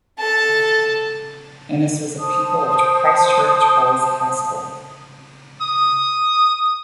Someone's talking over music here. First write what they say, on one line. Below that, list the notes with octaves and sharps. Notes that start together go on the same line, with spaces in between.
Innes was a pupil of Christchurch Boys' High School.
A4 A5
C5 A5 D#6
D#6